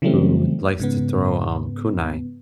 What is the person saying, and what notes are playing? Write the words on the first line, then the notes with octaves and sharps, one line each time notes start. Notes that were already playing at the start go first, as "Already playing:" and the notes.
who likes to throw, um, kunai,
C#3 E3 F#3 G3 A3 C4
G#2 C#3 B3